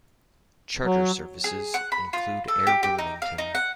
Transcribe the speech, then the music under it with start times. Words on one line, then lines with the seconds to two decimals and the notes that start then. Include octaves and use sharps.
Charter services include Air Wilmington.
0.85 F#3
1.44 G#4
1.74 F#5
1.92 B5
2.13 F4
2.48 A4
2.67 G4
2.83 G4
2.99 D#4
3.22 F5
3.38 D#4
3.55 F#5